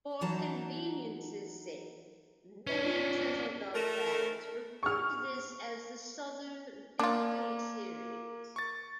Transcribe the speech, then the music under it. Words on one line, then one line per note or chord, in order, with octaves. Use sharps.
For convenience's sake, many Turtledove fans refer to this as the Southern Victory series.
E3 F#3 D#4 A5 A#5
C#4 D4 B4
F4
A3 A#4
C#6 F6
A#3 D4 F4
C#6 A6